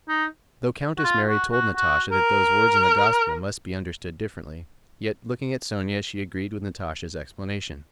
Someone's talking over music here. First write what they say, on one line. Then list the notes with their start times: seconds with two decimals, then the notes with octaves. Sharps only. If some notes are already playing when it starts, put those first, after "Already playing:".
Though Countess Mary told Natasha that those words in the Gospel must be understood differently, yet looking at Sonya she agreed with Natasha's explanation.
0.08 D#4
0.98 F#4
1.04 F4
1.28 F#4
1.52 F#4
1.75 F#4
2.12 A#4